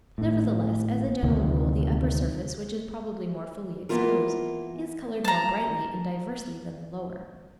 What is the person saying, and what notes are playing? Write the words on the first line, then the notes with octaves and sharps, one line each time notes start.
Nevertheless, as a general rule, the upper surface, which is probably more fully exposed, is coloured more brightly and diversely than the lower.
G#1 A2
D2 C3 D#3
E3 G#3 A#3 B3 F4 A#4
A5 A#5